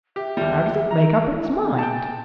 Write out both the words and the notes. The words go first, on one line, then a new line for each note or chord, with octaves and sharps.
"How does it make up its mind?"
G4 E5
D#2 G3
A#5
E4
G#5
G5 A5